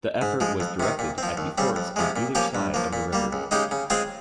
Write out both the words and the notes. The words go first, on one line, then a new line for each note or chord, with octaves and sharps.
The effort was directed at the forts on either side of the river.
G#2
F3 G#3
F2
C3 D#3
A#2
F3 C4
D#2
C#3 G3 C4
F2
C3 F3 G#3
A#2
F3 A#3 C#4 G4
G2
F3 A#3
A#2
G3 A#3
C#2
C#3 G#3 D#4 G4
C#3
G#3 C4 F4 G#4